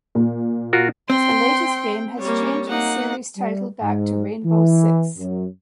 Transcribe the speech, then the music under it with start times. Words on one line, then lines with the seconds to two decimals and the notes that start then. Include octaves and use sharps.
The latest game has changed the series title back to "Rainbow Six".
0.15 A#2
0.73 F4 F#4 A#4
1.10 C4 G5 C6
2.19 G3 A#3 C#5
2.68 A#3 D#4 F#5
3.37 G3
3.82 G#2
4.45 E3
5.18 F#2